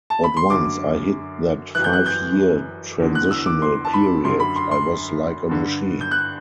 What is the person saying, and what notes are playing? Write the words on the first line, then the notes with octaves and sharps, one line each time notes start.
But once I hit that five-year transitional period, I was like a machine.
A5
B5
C6
F#2 D3 D6
F#2 E3 F#6
G6
F#6
G6
E2 D3
F#6
E6
D6
C6
A5
B5
F#2 D3 C6
B5
C6
C6
G2 D3
G6
F#6